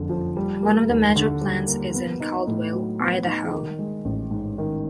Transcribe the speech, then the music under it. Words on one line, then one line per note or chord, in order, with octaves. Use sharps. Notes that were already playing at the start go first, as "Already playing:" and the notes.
One of the major plants is in Caldwell, Idaho.
Already playing: F#1 F2 D3
F3
G3
A#3
D#2
D3
G3
A#3
B3
D#4
A2
F#3
B3
D#4
D#3
G#3
A1
G#2
D#3